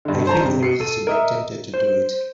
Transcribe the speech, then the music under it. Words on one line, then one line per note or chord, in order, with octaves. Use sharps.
I feel irresistibly tempted to do it.
G2 D3
C5 A5 A#5
G2 C3
C7 C#7
A4 D#7
A#4 D#5 E5
C5